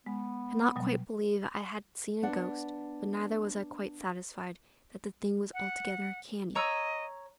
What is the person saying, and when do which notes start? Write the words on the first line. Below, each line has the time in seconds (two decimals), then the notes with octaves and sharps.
I could not quite believe I had seen a ghost; but neither was I quite satisfied that the thing was altogether canny.
0.06 G#3 B3
0.76 B2 F#3 G3
2.22 B3 D4 F#5
5.54 F#5
6.55 C#5 D#5 A#5 E6